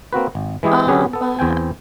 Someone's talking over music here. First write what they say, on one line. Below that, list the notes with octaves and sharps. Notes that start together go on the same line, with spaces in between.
Um, uh,
A#3 C4 F#4 B4
G#1
E3 G#3 E4 G4 G#4
D3 F#3 C#4 G4 G#4 B4
B3 A4
E2 C4 G5 G#5